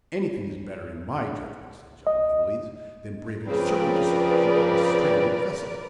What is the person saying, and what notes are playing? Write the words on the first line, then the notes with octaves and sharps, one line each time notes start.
"Anything is better, in my judgment," said John Mangles, "than braving certain destruction on a stranded vessel."
D#5
C#3 F3 C4 G#4 A#4 B4 D5